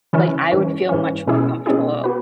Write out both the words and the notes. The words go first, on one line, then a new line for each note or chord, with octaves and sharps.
like, I would feel much more comfortable
C#3 E3 C#4 E4
G#2 E3 C#4
G#2 E3 C#4
B2 G#3 C#4 E4 G#4
B2 G#3 C#4 E4 G#4
B3 F#4 B4